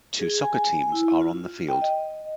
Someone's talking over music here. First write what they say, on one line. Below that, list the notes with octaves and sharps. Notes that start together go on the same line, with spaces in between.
Two soccer teams are on the field.
G#4
G#5
E4
F4
G5
D#5